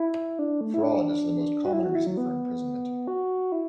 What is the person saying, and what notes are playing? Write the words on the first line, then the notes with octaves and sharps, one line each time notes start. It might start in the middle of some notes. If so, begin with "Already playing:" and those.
Fraud is the most common reason for imprisonment.
Already playing: E4
D4
A3
E4
D4
F#4
E4
F#4
E4
F#3
B3
F#4
E4